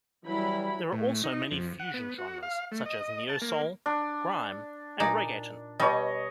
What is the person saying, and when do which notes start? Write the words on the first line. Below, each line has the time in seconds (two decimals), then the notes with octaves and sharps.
There are also many fusion genres such as Neo soul, Grime, and Reggaeton.
0.24 E3 F#3 G3 E4 B5
0.92 A2
1.24 D#4
1.51 F2
1.80 F#5
1.94 B3
2.18 F#4
2.43 F5
2.72 A3
2.86 D#5
3.29 A5
3.42 A#3
3.86 D4
5.00 A#2 D#4 D5
5.80 B2 G3 C#5 D#5